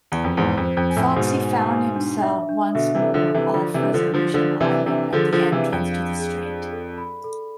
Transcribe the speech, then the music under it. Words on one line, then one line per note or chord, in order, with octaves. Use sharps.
Foxe found himself once more off Resolution Island, at the entrance to the strait.
E2
F2
E2 G#2 C5
F2
C5
F2
G#5
F2 A2
G#2 B2 C5
G#5
G#5
D4
E5
D4
B2 D3 E5
C3 E3
A4
D3 F3
A4
C3 E3
D3 F3 D5
C3 E3
D4
D3 F3
D4
D3 F3
D3 F3 D5
C3 E3 D5
C3 E3 D4
D3 F3 G#4
D3 F3
F5
C3 E3
D5
F2
F5
G#4
D5
A4
B5
A4